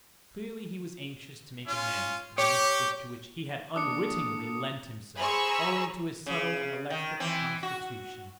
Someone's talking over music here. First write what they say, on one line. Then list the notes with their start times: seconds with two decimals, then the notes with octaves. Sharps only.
Clearly he was anxious to make amends for the mischief to which he had unwittingly lent himself owing to his subtle and electric constitution.
1.67 C#4 F4
2.38 G4 C#5
3.76 A#3 D4 A4 D#6 C#7
5.18 G#4 C5 A#5 B5 C#6 E6
6.26 C#3
6.90 D#3
7.20 E3 C4
7.63 F#4